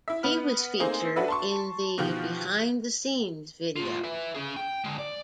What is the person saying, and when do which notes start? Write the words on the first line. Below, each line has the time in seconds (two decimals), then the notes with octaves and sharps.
He was featured in the 'Behind the Scenes' video.
0.08 E4 E5
0.23 B3 B4 F6
0.80 A3 A#3 C4 D#4 G#4 C5
1.16 D4 F#4 A4 B4 E5
1.28 A5 C6 C#6
1.98 B2 D#3 F3 F4 G4
3.76 A2 F4
4.04 B4 E5
4.35 C#4 G#4
4.56 G5
4.84 D3 G#3
4.98 D5